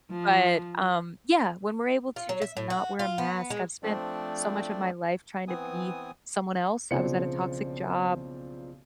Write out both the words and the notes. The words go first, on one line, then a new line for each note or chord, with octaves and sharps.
but, um, yeah, when we're able to just not wear a mask, I've spent so much of my life trying to be someone else. I was at a toxic job
F3
F4
F#3
E5
A2
F#4
F4
B3
G#3
F3 A3 C4 D4 D5
E3 B3 C4 G#5 D#6
B1 C#3 F3 C4 D5 C#7